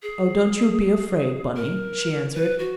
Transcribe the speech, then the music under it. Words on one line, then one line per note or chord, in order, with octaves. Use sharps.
"Oh, don't you be afraid, Bunny," she answered.
G#4
A#4
B4
F#4